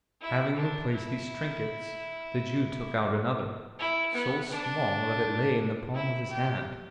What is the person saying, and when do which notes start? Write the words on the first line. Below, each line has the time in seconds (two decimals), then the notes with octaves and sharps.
Having replaced these trinkets, the Jew took out another: so small that it lay in the palm of his hand.
0.21 E4
0.57 D4
0.92 E4
3.79 E4
4.14 B3
4.50 D4
5.94 E4
6.30 G4